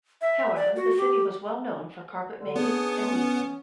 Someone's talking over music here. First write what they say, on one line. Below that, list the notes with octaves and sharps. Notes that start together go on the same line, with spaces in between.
However, the city was well known for carpet making and weaving.
E5
D5
F#4
G4
D3
B3 C#4 D4 G#4
C#4